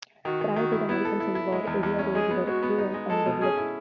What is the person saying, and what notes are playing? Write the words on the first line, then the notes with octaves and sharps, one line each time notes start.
Prior to the American Civil War, area roads were few and undeveloped.
D#3 F#4
D#3
D#3 F#4
E4
B3 E4
A4
E4
E4
G#3
E2
E2
C#4
G#3 G#4
B3
G#3 F#4
B3
D#4
G#3
G#3 A4
B2
C#4 G#4
E4